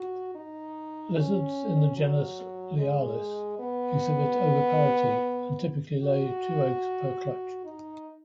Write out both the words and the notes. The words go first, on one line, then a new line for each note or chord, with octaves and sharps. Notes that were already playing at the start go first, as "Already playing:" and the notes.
Lizards in the genus "Lialis" exhibit oviparity and typically lay two eggs per clutch.
Already playing: F#4
D#4
C#4
F#3
G#3
B3
F#4
D#4